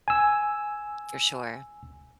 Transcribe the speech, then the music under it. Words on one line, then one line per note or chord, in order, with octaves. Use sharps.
For sure.
G#5 E6